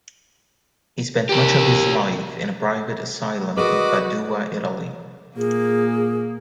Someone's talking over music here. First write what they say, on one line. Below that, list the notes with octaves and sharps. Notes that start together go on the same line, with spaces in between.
He spent much of his life in a private asylum in Padua, Italy.
G4 A#4
F#4 G#4 A#4 B4 D5 D#5 D6
A#2 A#3 G#4